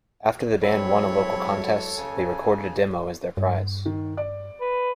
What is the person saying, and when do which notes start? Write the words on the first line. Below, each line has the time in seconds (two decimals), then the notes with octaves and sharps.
After the band won a local contest, they recorded a demo as their prize.
0.63 F#3 G#3 C4 E4 A4 C#5 B5
1.97 C#3 G#5
3.37 G2
3.86 D#3
4.17 D5
4.61 B4